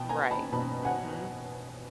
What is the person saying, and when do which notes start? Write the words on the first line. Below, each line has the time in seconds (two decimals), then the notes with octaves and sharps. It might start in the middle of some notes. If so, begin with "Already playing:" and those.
Right. Mhm.
Already playing: B2 G5 A5
0.09 G#5 A#5
0.31 A5 B5
0.53 B2 A5 B5
0.85 F#5 G#5